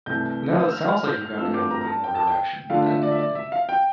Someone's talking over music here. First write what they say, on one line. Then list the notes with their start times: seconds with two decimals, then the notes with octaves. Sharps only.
No, it sounds like you kinda got a little bit more direction, then, in in
0.06 C2 C3 E3 A3 E4 G6
0.65 E6
0.72 F6
0.88 F6
1.05 G6
1.22 F6
1.38 G2 E3 A3 C4 F4 E6
1.54 D6
1.71 A#5
1.81 A#5
1.87 A5
2.04 G5
2.15 A5
2.27 G5
2.70 D3 A3 D4 F4 F5
2.86 E5
3.03 D5
3.11 E5
3.18 D5
3.35 E5
3.52 F5
3.69 G5